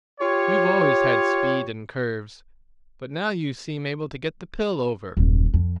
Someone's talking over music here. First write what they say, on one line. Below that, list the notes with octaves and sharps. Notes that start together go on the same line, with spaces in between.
You've always had speed and curves, but now you seem able to get the pill over.
F4 G4 C#5
D#1 F#2
F2